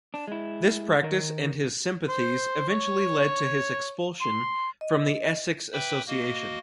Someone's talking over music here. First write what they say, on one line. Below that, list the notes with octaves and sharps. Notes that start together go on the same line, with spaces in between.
This practice and his sympathies eventually led to his expulsion from the Essex Association.
D4
G#3 E4
D#3 A#4
C5
C#5
C6
D#5
B4 E5 G5 B5 D6
A#3 F#4 D#5